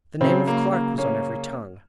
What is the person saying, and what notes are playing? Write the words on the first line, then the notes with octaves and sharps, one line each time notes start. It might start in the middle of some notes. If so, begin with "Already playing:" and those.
The name of Clark was on every tongue.
C#3 F#3 C4
A#3
A#3
A#3 C#4